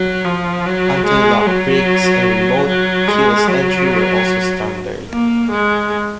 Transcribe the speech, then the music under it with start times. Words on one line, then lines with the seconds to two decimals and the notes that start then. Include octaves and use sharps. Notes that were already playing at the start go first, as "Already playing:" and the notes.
Anti-lock brakes and remote keyless entry were also standard.
Already playing: F#3
0.25 F3
0.65 F#3
1.06 G#3
1.46 F#3
2.67 F#3
3.08 G#3
3.48 F#3
5.10 A#3
5.51 G#3